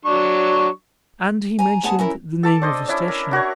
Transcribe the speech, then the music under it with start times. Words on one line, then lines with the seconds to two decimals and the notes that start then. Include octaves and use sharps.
And he mentioned the name of a station.
0.05 F#3 D4 C#6
1.59 G#5 A#5
1.83 D2 B3 G#4 F#5 A5
1.99 C#4 E4 A#4
2.43 A4 A5 D6
2.62 D4 C5 D#5
2.88 C#4 D4 E4
3.08 A#4
3.31 D4 F#4 A#4 C#5